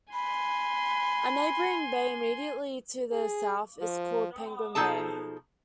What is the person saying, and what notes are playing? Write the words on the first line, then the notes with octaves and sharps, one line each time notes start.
A neighbouring bay immediately to the south is called Penguin Bay.
G#5 B5 C6
G#4
F3
B2 F3 D#4 G#4 A4 A5